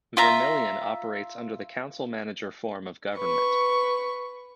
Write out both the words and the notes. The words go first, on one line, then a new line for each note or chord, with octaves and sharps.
Vermillion operates under the council-manager form of government.
F4 E5 A#5
B4 C#6